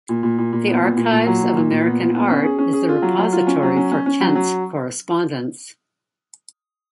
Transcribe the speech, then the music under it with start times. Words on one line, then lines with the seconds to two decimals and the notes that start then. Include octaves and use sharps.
The Archives of American Art is the repository for Kent's correspondence.
0.09 A#2
0.23 A#2
0.38 A#2
0.53 A#2
0.67 B3
0.82 A#2
0.97 A#2
1.11 A#2
1.27 F#3
1.41 A#2
1.55 A#2
1.71 A#2
1.86 B3
2.01 A#2
2.15 B3
2.30 C#4
2.44 G#4
2.58 C#4
2.73 G#4
2.89 F4
3.02 F#3
3.18 F#3
3.33 F4
3.47 C#4
3.62 F#3
3.77 C#4
3.92 C#4
4.06 C#4
4.20 F#3
4.35 F#3